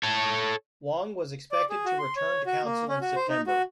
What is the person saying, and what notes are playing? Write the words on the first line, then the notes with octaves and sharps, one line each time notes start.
Wong was expected to return to council in September.
A4 C#5
D5
G#4
F#4
C6
C#5
F#4
A#3
C#4
F#4
C5
D#4
F#4